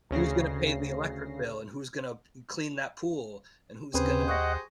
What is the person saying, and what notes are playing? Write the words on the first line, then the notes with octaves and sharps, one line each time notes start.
who's gonna pay the electric bill, and who's gonna p mm, clean that pool, and who's gonna
D2 C#3 A#6 C7
D#2 C#3 C4 G4 G#4 B4 C5
D#5 F#5 C#6 A#6